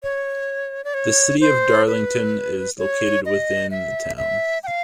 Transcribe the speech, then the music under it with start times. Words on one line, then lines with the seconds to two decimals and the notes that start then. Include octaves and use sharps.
The City of Darlington is located within the town.
0.03 C#5
0.84 D5
0.94 C#5
1.41 C5
1.87 B4
2.78 C#5
3.26 D#5
3.71 E5
4.17 E5
4.63 G5
4.67 F5